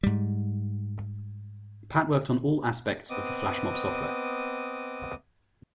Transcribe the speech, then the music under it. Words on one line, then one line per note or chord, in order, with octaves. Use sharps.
Pat worked on all aspects of the FlashMob software.
G#2 G3
B3 C4 D#5 D6 D#6